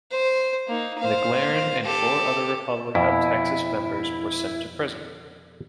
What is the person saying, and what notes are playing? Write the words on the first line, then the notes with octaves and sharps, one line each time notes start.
McLaren and four other Republic of Texas members were sent to prison.
C5
A#3 D#4
C5 F5
G4 A4
F2 B2 E4